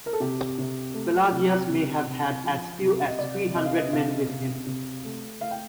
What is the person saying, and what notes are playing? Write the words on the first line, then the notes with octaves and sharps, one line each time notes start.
Pelagius may have had as few as three hundred men with him.
A#4
A4
C3 G4
C3
A3
C3
C3
C3
F3
C3
D#5
C3 D5
C3 D#5
F5
D#5
C3 F5
C3
C3
A3
A3 F5
G5